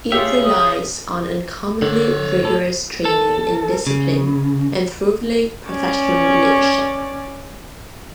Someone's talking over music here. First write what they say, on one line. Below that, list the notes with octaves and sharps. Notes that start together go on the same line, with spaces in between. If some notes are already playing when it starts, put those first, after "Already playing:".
It relies on uncommonly rigorous training and discipline and thoroughly professional leadership.
C#3 F4 G4 E5
D#6
D3 C#5 D5
A2 A4
A4
C#3
C#4 D5